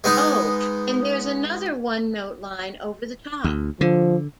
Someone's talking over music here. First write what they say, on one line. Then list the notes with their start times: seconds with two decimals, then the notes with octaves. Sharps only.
Oh, and there's another one-note line over the top.
0.04 G#3 B3 D#4
3.44 D2
3.81 D3 F3